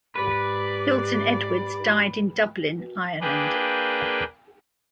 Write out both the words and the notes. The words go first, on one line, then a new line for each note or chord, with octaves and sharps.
Hilton Edwards died in Dublin, Ireland.
G#2 G4 B4 D5
A#3 D4 G#4 B4 G5